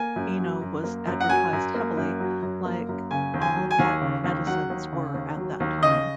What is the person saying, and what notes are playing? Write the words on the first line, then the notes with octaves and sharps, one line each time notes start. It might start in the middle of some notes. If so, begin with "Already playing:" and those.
Eno was advertised heavily, like all patent medicines were at that time.
Already playing: A#3 G#5
F#2
F#3
F#2
A#3
F#2
F#5
F#3 G#5
F#2
A#3
F#2
F#3
F#2
A#3
F#2
C#3 G#5
D#2
G#5
F#3
G#5
D#2
C#3
D#2
F#3 F#5
D#2
C#3
D#2
F#3
D#2
C#3 D#5